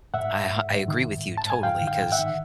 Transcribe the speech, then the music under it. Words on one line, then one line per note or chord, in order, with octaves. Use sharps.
I h I agree with you totally 'cause,
G#2 E5 F#5
G#2
G#2
G#2
D#3
G#2
G#2
A5
G#2
G#5
G#2 F5 G5
D#3
F5 G5
G#2 G5
E5 F#5
D#3